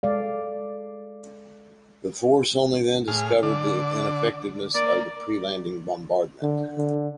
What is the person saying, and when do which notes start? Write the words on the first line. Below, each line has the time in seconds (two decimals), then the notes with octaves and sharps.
The force only then discovered the ineffectiveness of the pre-landing bombardment.
0.03 G#3 A4 D5 F5
3.08 A2 G#4 F6
3.43 D3 D5
4.75 A#3 D5
6.42 D3
6.78 D3